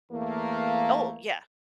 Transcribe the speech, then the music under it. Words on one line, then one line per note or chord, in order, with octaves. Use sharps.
Oh, yeah.
E2 A3 A#3